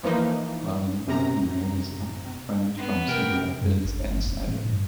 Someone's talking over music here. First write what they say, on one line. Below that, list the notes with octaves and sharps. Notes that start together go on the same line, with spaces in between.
While in England he married his long-time friend from Cedar Rapids, Anna Snyder.
E3 F3 A#3 D#4
F#2 C3 A#5
B3
C3 A#4 G5
F#2
F#1
G1
F1
A2
G2